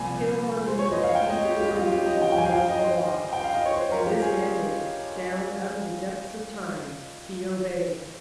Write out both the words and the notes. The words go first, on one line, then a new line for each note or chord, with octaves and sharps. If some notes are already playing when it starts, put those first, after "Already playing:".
Kill or be killed, eat or be eaten, was the law; and this mandate, down out of the depths of Time, he obeyed.
Already playing: C2 A#2 F3 G#5
C5
C#5
D#5
F5
G5
D#5
G4
G4
F4
G4
D#5
G5
G5
G2 F3 G#5
F5
G5
D#5
C5
G5
F5
D#5
C#5
C5
A#4
F4
G4
G#4